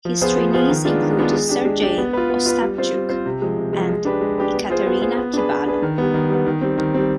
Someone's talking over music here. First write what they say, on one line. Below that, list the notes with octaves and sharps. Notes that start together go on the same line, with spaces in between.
His trainees include Sergey Ostapchuk and Yekaterina Kibalo.
F3
B3 F4 G#4 C5
F3
B3 F4 G#4 C5
D#3
G#3 B3 D4 F4
D#3
G#3 B3 D4 F4
G#3
D4 G4
G#3
D4 G4
B3
F4 B4
B3
F4 B4
G3
C4 F4 C5
G3
C4 F4 C5
C3
F3 G#3
C3
F3 G#3
G#3
D4 G4 B4
G#3
D4 G4 B4
B3
F4 G#4 C5
B3
F4 G#4 C5
B3
D4 G#4 B4
B3
D4 G#4 B4
D#3
G3 B3
D#3
G3 B3
D#3
G3 C4
D#3
G3 C4